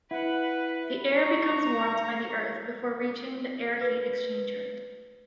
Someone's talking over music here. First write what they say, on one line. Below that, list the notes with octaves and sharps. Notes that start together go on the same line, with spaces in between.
The air becomes warmed by the earth before reaching the air heat exchanger.
E4 B4 F#5
A#5 C#6
B4